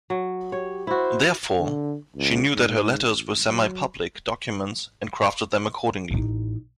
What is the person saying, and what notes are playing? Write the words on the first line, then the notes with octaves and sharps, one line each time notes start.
Therefore, she knew that her letters were semi-public documents and crafted them accordingly.
F#3
G4 C#5
E4 F#4 C5
D3
C#2
G#2
A1
F#3
A1 D#4